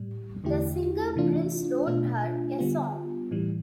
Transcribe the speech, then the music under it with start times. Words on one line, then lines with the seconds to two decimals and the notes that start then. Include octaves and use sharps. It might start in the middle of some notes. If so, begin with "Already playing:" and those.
The singer Prince wrote her a song.
Already playing: A2 G3
0.44 E2 D3 A3 E4 G4
1.16 C3 E3 A3 D4 F4
1.87 B2 A3 D4 F4
2.58 D3 G3 B3 F4
3.31 A2 E3 G3